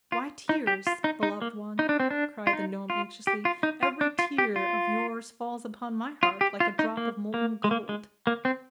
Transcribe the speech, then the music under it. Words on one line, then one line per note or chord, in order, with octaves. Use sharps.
'Why tears, beloved one?' cried the gnome anxiously; 'every tear of yours falls upon my heart like a drop of molten gold.
F4
D#4
G4
F4
D#4
D#4
A#3
D#4
D4
C4
D4
F4
D#4
F4
G4
F4
D#4
F4
D4
F4
G4
F4
F4
G4
F4
D#4
A#3
A#3
G#3
A#3
G#3
A#3
C4